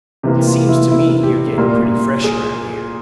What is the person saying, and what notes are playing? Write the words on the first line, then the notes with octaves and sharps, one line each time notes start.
"It seems to me you're gettin' pretty fresh around here."
C3 E3 A#3 G4
F4
E4
E4
G4
A#2 G3 A#3
G#4